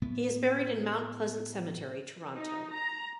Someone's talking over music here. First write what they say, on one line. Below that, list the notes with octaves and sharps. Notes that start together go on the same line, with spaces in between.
He is buried in Mount Pleasant Cemetery, Toronto.
A2 B3
D#4
A#5